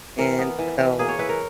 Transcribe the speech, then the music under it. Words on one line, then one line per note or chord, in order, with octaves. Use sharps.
and so
E3 A#4
B3
E3
E3
A#3 G#4
C#5
E4 B4
A#4